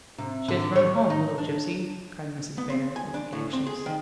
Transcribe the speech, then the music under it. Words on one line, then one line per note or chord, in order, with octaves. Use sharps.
"She has run home, little gypsy!" cried Mrs. Bhaer, looking anxious.
C3
D3
C#5
D#4
D4
B3
C4
G#5
D4
A2
C4
G#4
D#3